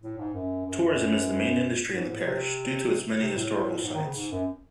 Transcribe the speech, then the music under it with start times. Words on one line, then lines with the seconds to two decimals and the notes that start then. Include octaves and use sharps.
Tourism is the main industry in the parish, due to its many historical sites.
0.02 A2
0.18 G#2
0.34 F#2
0.66 F#2
0.84 F#2
1.93 G#2
2.09 A2
2.25 C3
3.20 C3
3.36 A2
3.84 G#2
3.94 D#3
4.05 C#3
4.16 G#2
4.31 F#2